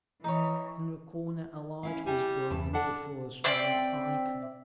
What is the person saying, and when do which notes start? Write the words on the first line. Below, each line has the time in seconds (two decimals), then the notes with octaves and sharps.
In the corner a light was burning before a small ikon.
0.24 E3 D#4 C#5
1.83 C#4 E4 F5
2.06 G3 D5 G#5
2.50 E2 G2 A5
2.73 D4 A4 F#5
3.44 C4 D5 E5 G5